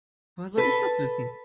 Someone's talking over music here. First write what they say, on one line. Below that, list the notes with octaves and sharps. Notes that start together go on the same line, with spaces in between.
Woher soll ich das wissen?
A4 B4